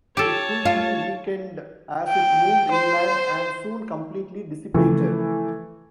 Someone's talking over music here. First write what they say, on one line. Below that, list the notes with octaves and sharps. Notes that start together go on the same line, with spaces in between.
It quickly weakened as it moved inland, and soon completely dissipated.
G4 A4 C#5 A5
F4
G5
C5
C#3 E3 F3 A3